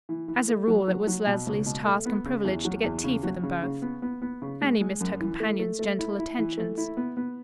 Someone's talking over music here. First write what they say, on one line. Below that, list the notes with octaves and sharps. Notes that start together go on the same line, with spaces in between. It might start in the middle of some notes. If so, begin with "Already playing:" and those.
As a rule, it was Leslie's task and privilege to get tea for them both. Annie missed her companion's gentle attentions.
E3
E3
A3
F#3
F#3
F#3
B2
C#2
B2
A3
B3
C#3
E2
F#3
E2
C#3
F#3
C#3
C#3
B3
B3
B3
C#3
G#3
G#3
F#2
E3
A3
A3
A3
E4
E4
E3
A3
E4
B3
B3